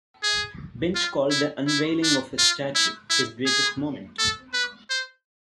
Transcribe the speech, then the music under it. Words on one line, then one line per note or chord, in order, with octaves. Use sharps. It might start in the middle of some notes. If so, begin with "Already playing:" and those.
Bench called the unveiling of his statue, his greatest moment.
G#4
F4
E4
E4
D4
F4
E4
E4
G#4
A4
B4
C5